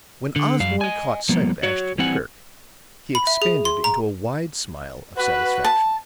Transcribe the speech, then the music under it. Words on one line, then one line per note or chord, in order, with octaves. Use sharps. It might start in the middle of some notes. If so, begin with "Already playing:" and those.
When Osborne caught sight of Ashton-Kirk he expanded into a wide smile of satisfaction.
D3
F#2 F5
D#5 G#5
F3 G3 A#3 B3
F#4 C#5
E3 G3 C4 F#5 G#5
B5
E5
G#4
C6
A#5
F#4 B4
A5